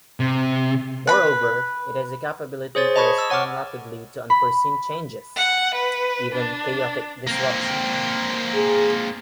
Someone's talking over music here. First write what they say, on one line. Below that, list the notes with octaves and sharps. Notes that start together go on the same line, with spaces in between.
Moreover, it has the capability to respond rapidly to unforeseen changes, even chaotic disruption.
C3
B4 B5
G#4 C5 C#5 A6
D#5 A5 B5 C#6 G#6
E6
C#5 F#5 C#6 D6 F6
B5
F#5
B4
D4
A#3 C4
G#4